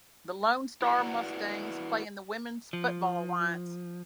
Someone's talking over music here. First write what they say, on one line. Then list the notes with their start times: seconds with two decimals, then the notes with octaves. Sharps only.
The Lone Star Mustangs play in the Women's Football Alliance.
0.82 E4 F#4 B4 D5 F#5
2.73 F3